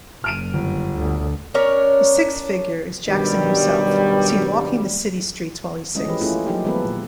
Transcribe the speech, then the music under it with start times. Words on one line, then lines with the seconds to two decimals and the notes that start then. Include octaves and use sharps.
The sixth figure is Jackson himself, seen walking the city streets while he sings.
0.24 F#1 F6 D7 D#7
0.53 G1
0.94 D2
1.54 C#4 D4 A#4 C#5
3.08 G2 B2 D#3 F#3 G3
5.95 E3 F3 G#3 A3 C#4 D#5
6.08 E3 G4 B4
6.21 A3 A#3 C#4 E4 F4 G#4
6.46 F3 F#3 A#3 D#4 E4 G4
6.64 D#3 G#3 A3 B3 A4 B4
6.84 A#2